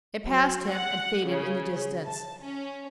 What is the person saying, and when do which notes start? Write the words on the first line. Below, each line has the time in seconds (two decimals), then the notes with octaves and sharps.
It passed him and faded in the distance.
0.28 F#3
0.70 F#5
1.27 C#3
2.06 A5
2.40 C#4